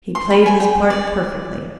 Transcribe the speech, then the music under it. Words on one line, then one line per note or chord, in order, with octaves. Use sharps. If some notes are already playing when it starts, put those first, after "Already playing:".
He played his part perfectly.
C6
B5
G#5
G5
D5